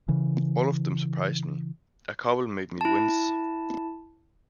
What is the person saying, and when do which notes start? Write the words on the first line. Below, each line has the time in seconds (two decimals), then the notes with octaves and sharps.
All of them surprised me; a couple made me wince.
0.08 C#3 E3
2.81 E4 A5